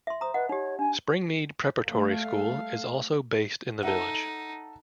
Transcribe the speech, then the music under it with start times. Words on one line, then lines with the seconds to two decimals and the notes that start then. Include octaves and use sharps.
Springmead Preparatory School is also based in the village.
0.07 E5 C6
0.21 C5 A#5 D#6
0.34 B4 D#5 F#5
0.49 D#4 G4 C#5
0.79 D4 G#5
1.85 G3 A3 A4 F5
3.83 D#4 A4 E5 F#5